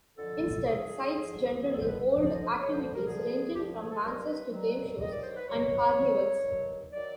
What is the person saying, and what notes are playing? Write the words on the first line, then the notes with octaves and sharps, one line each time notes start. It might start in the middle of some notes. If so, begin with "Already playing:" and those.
Instead, sites generally hold activities ranging from dances to game shows and carnivals.
F2 D3 F3 A4
F2 D3 F3 G#4
F2 D3 F3
F2 D3 F3 G#4
A4
C5
B4
D2 D3 F3
D#5
D5
D#5
D2 D3 F3 C#5
C5
C5
A#4
D2 D3 F3 G#4
D2 D3 F3 G4
G#4
A4
G2 D#3 F#3 A#4
A#4
B4
G2 D#3 F#3
G2 D#3 F#3 D#5
D5
C5
B4
G2 D#3 F#3 C#5
G2 D#3 F#3
G2 D#3 F#3
D#3 F#3 D5